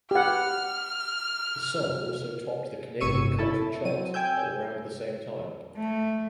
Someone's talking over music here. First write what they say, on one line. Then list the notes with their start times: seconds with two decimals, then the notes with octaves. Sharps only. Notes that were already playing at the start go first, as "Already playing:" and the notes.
The song also topped the Canadian country chart around the same time.
0.11 G4 F#5 F6
3.01 G1 A2 C#5 C#6 E6 D#7
3.39 E4 A4 A5
3.85 F#3 C4 D#7
4.14 G5 G#5 E6 G6
5.77 A3